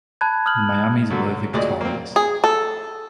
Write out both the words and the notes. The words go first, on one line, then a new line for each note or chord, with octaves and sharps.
The Miamis were victorious.
A5 B5 F#6 G#6
D#6 F6 F#6 F#7
F#2 D3 F#3
D2 A#2 G#3 D5 D#5
A#3 C4
G#4
A4